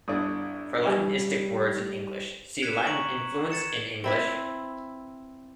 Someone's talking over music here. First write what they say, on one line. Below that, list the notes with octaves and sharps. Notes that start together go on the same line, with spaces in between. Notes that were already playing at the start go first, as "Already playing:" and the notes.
For Latinistic words in English, see Latin influence in English.
G1 D4 E4 D#6
G3
F#6 G#6 B6 C#7 D#7 E7
A#5 C#6 D7 F#7
G#6 A6 C#7 E7
C4 E4 B4